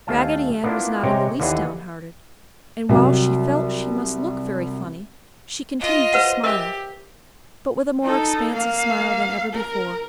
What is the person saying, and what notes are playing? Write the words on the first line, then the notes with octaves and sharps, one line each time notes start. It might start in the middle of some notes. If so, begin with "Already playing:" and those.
Raggedy Ann was not in the least downhearted and while she felt she must look very funny she continued to smile, but with a more expansive smile than ever before.
D#2 A3 F5 G#5 A5
A#3 B3 D4 E4 F4
C3 G#3 C#5 G5 A#5
D#2 D3 E3 G#4 F#5
C2 F#3
F4 D#5
B4 C5 F#5
G4 A#4 D#5 E5
D#4 A4
A#3 F5
A#4